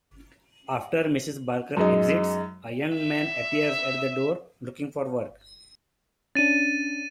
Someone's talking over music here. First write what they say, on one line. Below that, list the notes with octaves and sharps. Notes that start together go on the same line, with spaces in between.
After Mrs. Barker exits, a Young Man appears at the door, looking for work.
F#2 G#3 D#4
E5
C#4 D4 A6 D#7